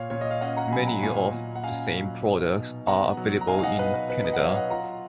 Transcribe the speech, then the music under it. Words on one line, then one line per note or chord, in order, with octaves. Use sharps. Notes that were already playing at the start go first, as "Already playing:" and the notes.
Many of the same products are available in Canada.
Already playing: A#2 C#5 F5
A#2 C#5
D#5
F5
C#4 D#5 F#5
F#5 A#5
F#3 G#5 B5
F#5 A#5
A#2 F5 G#5
A#2
F#5
C#4 F5 G#5
F#3
D#4
B2
B3 F#5 A#5
F#3
A#5
D#4 F5 G#5
F5
D#5 F#5
B2 B4 D#5
B4
B3 B4
B4 D#5
F#5
F#3 C#5 F5
D#5 F#5
F4 F#5 A#5